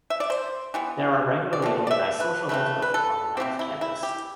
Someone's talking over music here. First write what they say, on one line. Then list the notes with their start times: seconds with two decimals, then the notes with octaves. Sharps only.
There are regularly organized social events both on and off-campus.
0.10 E5
0.20 D5
0.30 C5
0.74 E3 G3 B3
1.53 D5
1.62 C3 F3 A3
1.87 D5
1.91 E5
2.20 B4
2.49 C3 F3 A3 B4
2.82 B4
2.94 A4
3.37 C3 G3 C4 G4
3.59 E4
3.81 E4
4.03 G4